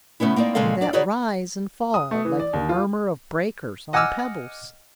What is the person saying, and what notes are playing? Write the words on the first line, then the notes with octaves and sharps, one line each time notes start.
And that rise and fall, like the murmur of breakers on pebbles?
C#3 A3 B3 C#4 E4
A#3 C4 D#4 D5
A#2 C#3 G#3 C4 A4 F5
D4 D5
D#4 F#4 G#4 B4 C#5 D5
D#6
A3
E3
D5
D#2
F4
D#5 F#5 G#5 D6 E6 F6